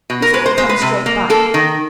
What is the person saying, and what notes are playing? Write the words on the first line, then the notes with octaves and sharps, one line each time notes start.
He said he'd come straight back.
B2
A#4
G#3 B4
C5
G#3 C5
B4
C3
A#3
A#3 A4
D#3